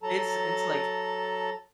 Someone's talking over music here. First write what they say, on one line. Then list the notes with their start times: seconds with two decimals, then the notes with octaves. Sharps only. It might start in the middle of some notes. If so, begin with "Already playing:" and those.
It's it's, like,
0.03 F#3 A4 A5 A#5